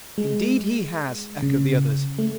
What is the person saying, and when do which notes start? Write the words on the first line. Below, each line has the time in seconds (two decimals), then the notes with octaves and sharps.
'Indeed he has!' echoed the others.
0.18 G#3
1.42 C#3
2.18 A3